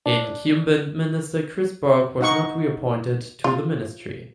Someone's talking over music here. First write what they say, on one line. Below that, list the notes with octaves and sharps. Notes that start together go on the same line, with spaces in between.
Incumbent minister Chris Bourke was not reappointed to the Ministry.
D4
D#4 F#5 C#6
F4